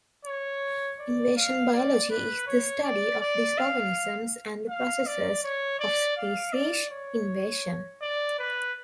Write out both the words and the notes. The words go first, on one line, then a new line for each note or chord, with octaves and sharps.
"Invasion biology" is the study of these organisms and the processes of species invasion.
C#5
D5
F5
D5
B4
C#5
D5
D5
F5
F5
D5
C#5
D5
F5
D5
C#5
D5
B4